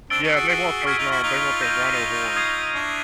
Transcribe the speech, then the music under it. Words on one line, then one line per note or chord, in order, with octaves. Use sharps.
Yeah, they want those, um, they want the rhino horns.
C4 D4 E6 A6 D7 G7
C#4 D#4
F#4 G#4
F#4 G#4
F#4 G#4 C#6 F6 G#6 B6
D#4 F4
E4 F#4
D#4 F4
G6 A#6 D#7
D#6 G#6 C7 D#7
D4 E4